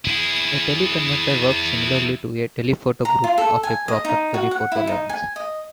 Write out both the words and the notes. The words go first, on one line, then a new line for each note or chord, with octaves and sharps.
A teleconverter works similarly to a "telephoto group" of a proper telephoto lens.
E4 G#4
A#5
F4
A4
G#5
D#5
D#4
F#4
F#5
E4
D#4
G#5
D#5